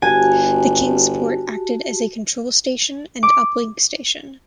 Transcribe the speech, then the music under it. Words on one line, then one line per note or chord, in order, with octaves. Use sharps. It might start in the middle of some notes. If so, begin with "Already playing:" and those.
The "Kingsport" acted as a control station and uplink station.
G1 F#4 G4 G#5 A5
D6